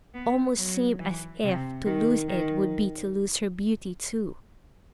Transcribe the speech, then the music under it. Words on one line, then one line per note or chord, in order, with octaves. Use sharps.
It almost seemed as if to lose it would be to lose her beauty too.
B3
F#3
E3
C3
D#3
D#3